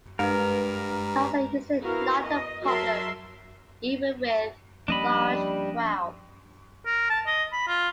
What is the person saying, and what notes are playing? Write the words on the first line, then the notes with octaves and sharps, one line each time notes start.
Lines are usually not a problem even with large crowds.
G2 G3 G#3 A#4 B4
B3 E4 F#4 A#4 F5
D#5
F#3 A#4 E5 A5 C6
F3 G3 A#3 C#4 D4 D#5 B5
A#4
A5
D#5
B5
F4